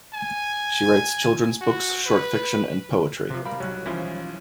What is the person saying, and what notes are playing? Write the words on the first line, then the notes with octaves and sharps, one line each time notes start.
She writes children's books, short fiction, and poetry.
G#5
F#4
B4
F#6
C3 F3
G3 A#4 F5 B5
B1 F#3 G3 C#5 F#6
B1 E3 F3 C#4 E4 C5